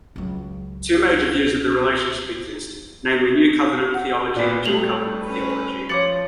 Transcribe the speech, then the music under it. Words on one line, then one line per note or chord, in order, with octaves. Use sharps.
Two major views of the relationship exist, namely New Covenant theology and Dual-covenant theology.
C#2 F#3
F#5
A#2 B3 D5 B6
G3 A3 F7 F#7
C#4 B4
F3 C#5 D6 A6 C#7 F#7